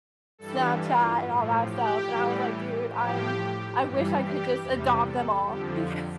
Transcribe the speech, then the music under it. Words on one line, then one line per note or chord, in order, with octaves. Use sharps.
Snapchat and all that stuff, and I was like, dude, I'm, I wish I could just adopt them all because,
G2 E3 G3 A4
F4
A2 F3
G4
A2 E3 G3
A2 F3 G4
G2 E3 G3
G4
E2 C3 G3
A4
F2 D3 F3 G4